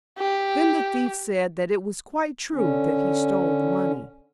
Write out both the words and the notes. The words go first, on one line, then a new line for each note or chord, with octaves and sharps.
Then the thief said that it was quite true that he stole the money.
G4
D3 C#4